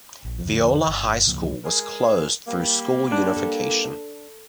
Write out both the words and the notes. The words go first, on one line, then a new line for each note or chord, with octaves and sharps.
Viola High School was closed through school unification.
A#1
E2 D3 F3
G1
C#2 F3 A#3
G#3 G#4 A#4
G3 A#3
D4
A4